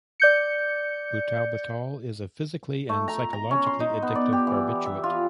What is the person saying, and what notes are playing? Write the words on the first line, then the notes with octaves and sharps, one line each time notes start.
Butalbital is a physically and psychologically addictive barbiturate.
D5 G6 C#7
A3
A#5
A#5
C#4
C6
D#4
B3
D5
G4
E3
E5
F4